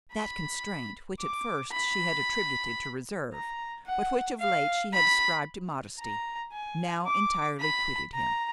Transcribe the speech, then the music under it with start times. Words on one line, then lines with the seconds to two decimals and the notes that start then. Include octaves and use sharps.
That constraint which at first she had attributed to reserve, but which of late she had ascribed to modesty, now entirely quitted him.
0.13 B5
1.20 D6
1.72 B5
3.33 A#5
3.87 F#5
4.40 F5
4.93 B5
6.00 A#5
6.53 G#5
7.07 D6
7.60 B5
8.14 A#5